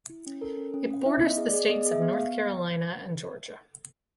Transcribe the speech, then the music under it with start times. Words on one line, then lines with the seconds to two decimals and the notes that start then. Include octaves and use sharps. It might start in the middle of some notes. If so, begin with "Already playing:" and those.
It borders the states of North Carolina and Georgia.
0.10 E4
0.26 C#4
0.41 A4 A#4
0.57 C#4
0.74 C#4
0.91 C#4
1.06 E4 E5
1.22 B3
1.27 D#5
1.38 G#4
1.48 D5
1.53 G#4
1.69 B3 D#5
1.86 G#4
1.91 E5
2.02 B3
2.13 F5
2.17 B3